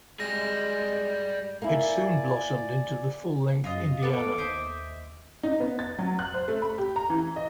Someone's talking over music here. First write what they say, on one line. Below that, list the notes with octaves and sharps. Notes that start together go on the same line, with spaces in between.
It soon blossomed into the full-length "Indiana".
G3 G#3 G#4 A#6
A#3 E4 D5 G#5
F#2 F4 D#5
B3 A4 C#5 F5 D6
D#2 C5 D#5 E5
D#4
B3
A6
F#3
F#6
C5
A3
B5
G4
A#5
E3
D#5